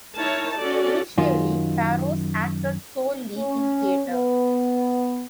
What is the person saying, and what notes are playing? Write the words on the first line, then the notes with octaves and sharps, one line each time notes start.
Initially, Parros acted solely in theater.
D#4 E4 A#4 C#5 A5
C#4 F#4 A4 D5
F#2 D#3 F4
C#4
B3